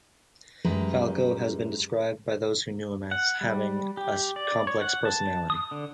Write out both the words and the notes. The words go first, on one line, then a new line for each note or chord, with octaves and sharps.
Falco has been described by those who knew him as having a complex personality.
F#2 G3 G#3 B4 A#5
F#5
G3
G4
D5
C#5
F#5
A5
D#6
D3